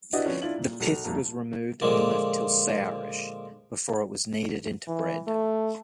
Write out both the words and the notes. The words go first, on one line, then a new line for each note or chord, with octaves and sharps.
The pith was removed and left till sourish, before it was kneaded into bread.
D4 E4 F#4 G4 B4 D#5
F3 C4 C#4 B4 C5
D4 E4 F4 F#7
A#2
B1 A4 F7
C2 F2 A#3
A#2 D3 F3 G#3 A#3
E3
A3